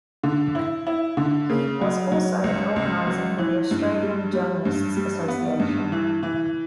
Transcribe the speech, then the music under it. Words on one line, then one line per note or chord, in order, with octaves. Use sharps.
He was also an organiser for the Australian Journalists' Association.
D3
E4
E4
D3
C#3
F#3
F#3
C#2
C#2
F#3
E3
G2
G3
G3
G2
G3
B3
G2
E3
E3